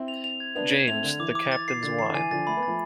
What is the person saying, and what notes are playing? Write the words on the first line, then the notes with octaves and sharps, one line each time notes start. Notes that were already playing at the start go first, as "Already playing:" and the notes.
James, the Captain's wine!
Already playing: C4 E4
F7
F7
G#6
B3 D4 F7
G#6
A3 C4 F7
D3 F7
E3 D6
D6
A6
C7
D3 A6
E3 C7
D3
E3 G#5
D3 F3 A6
A3 B5
B3
F3 A3 A6